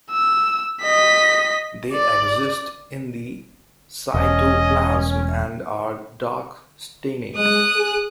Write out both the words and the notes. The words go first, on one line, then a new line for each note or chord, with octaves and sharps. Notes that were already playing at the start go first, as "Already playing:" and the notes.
They exist in the cytoplasm and are dark staining.
E6
D#5 B6
D5
E1 C#4 D#5
G#3 G#4 D#6 F#6
G#4